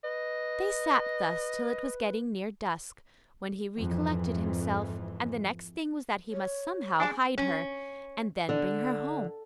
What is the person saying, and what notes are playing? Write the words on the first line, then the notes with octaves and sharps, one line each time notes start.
They sat thus till it was getting near dusk, when he recollected himself, and the next thing was that he must somehow hide her, and then bring her home.
B4 D#5
F2 G#2 E3
C#5
D4 G#4 C5 G#5 A5
C#4
D3